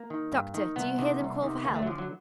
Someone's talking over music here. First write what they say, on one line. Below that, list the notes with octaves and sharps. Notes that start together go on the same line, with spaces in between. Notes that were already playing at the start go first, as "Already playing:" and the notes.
"Doctor, do you hear them call for help?"
Already playing: A#3
D#3
G2
D#3
C2 B3
C3 D#3
C2
C3 D#3
D2 A#3
A3
F#3
D3 F3
F#3